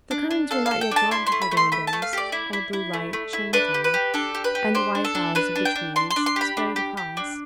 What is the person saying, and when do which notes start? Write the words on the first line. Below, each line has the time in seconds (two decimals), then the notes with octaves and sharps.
The curtains were not yet drawn before the windows and a blue light shone through, and the white boughs of the trees sprayed across.
0.11 D4
0.31 D4
0.51 A4 F5
0.66 F5
0.71 A4
0.81 G5
0.91 D4 A5
1.11 E4 C6
1.27 C6
1.32 A3
1.42 B5
1.51 A3
1.57 C6
1.72 A3 B5
1.87 A5
1.93 A3
2.02 F5
2.13 G4 D5
2.32 E4
2.53 E4
2.73 E4
2.93 A3
3.13 A3
3.33 E4
3.53 D4 B4
3.74 G4
3.84 B4
3.94 G4
4.14 D4 A4
4.35 G4
4.44 B4
4.55 G4
4.75 D4 C5
4.95 D4
5.05 A4
5.15 D4
5.35 D4 B4
5.55 D4
5.65 G5
5.76 D4
5.96 D4 C6
6.10 C6
6.16 D4
6.26 C6
6.36 G4 B5
6.57 D4
6.76 G4
6.97 G4
7.17 D4